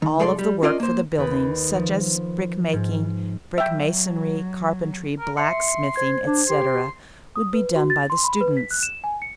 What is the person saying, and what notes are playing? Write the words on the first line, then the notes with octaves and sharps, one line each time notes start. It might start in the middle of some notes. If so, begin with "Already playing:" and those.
All of the work for the building, such as brickmaking, brick-masonry, carpentry, blacksmithing, etc., would be done by the students.
D#3
C2 G#3 A4 D5 A#5 C6
G3
C#4 F4 A#4 D5 D#5
A#3 C5
D#2 B4
F3
G#2
F#3 E5 G5
A#4
E5 C6 C#7
C5 G#6
D4
G4 C6
D#6
B4
F#4
A6
C6
B5
B4
B6
F#6
E7
G#5
C#7